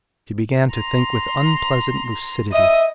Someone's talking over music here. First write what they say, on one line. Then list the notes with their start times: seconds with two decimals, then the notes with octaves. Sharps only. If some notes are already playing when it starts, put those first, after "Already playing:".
She began to think with unpleasant lucidity.
0.74 A#5 C6
2.52 D#5 E5 D#6